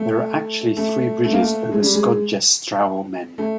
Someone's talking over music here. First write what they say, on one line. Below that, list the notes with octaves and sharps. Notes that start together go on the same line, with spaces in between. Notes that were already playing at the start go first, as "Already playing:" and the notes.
There are actually three bridges over Skodjestraumen.
Already playing: A3
A3
A3
A#3
A3
G#3
G3
G#3
A3